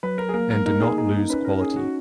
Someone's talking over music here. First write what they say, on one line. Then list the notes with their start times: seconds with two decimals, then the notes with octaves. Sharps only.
And do not lose quality.
0.03 F#3 B4
0.18 A#4
0.29 G#4
0.34 A#3 A#4
0.50 A#4
0.66 D#4 A#4
0.82 G#4
0.98 D#4 G#4
1.24 A#4
1.29 C#4 B4
1.45 A#4
1.61 C#4 G#4
1.76 F#4